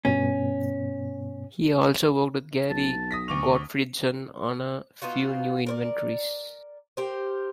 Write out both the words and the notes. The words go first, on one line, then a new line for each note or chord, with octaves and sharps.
He also worked with Gary Gottfredson on a few new inventories.
G2 B2 B3 C#4
B1 A5
D#6 A#6 B6
D2 C#6 D6 F7
B3 D#4 F4 F#4
A#4 C5 D5
G4 A#4 C5